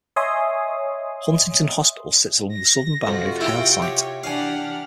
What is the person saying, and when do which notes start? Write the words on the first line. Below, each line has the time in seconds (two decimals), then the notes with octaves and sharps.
Huntington Hospital sits along the southern boundary of Halesite.
0.16 C#5 D#5 E5 G#5 C6 D#6
2.51 A#6
3.07 F2 C3 F4 F#4
3.41 E4 G5
3.82 G4 C#5
4.24 E3 D4 G4 F5 F#5 G#5 F6